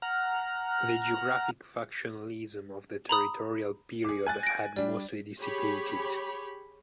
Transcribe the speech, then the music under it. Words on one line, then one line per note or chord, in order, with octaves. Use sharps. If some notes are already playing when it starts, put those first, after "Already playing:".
The geographic factionalism of the territorial period had mostly dissipated.
F#5 A#5 F6
A#5 B5 D#6
G#4 D6
G#5 F#6 A6
A#6 D7
G3 D4 D5
G4 G#4 C#5 B5